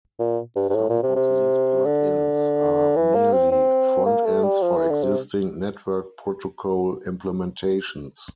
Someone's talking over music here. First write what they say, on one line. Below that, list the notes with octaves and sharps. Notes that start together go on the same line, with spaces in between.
Some of these plugins are merely front ends for existing network protocol implementations.
A#2
G2
G2
A2
A#2
C3
C3
D3
E3
A#3
C4
C4
A#3
A3
G3
F3
E3
D3
C3